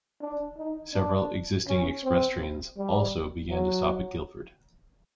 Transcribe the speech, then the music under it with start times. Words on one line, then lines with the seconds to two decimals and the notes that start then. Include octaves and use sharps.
Several existing express trains also began to stop at Guilford.
0.21 D4
0.58 D#4
0.94 D4
1.68 C#4
2.03 C4
2.77 G3
3.50 F#3